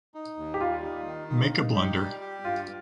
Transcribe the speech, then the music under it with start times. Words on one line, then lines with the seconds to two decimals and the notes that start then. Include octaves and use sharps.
Make a blunder.
0.14 D#4
0.37 D#2
0.54 G4
0.60 G3 F4
0.83 D#4
1.06 D#3
1.29 D#4
1.53 D#4
1.75 G4
1.98 G3
2.21 G4
2.44 G2 F4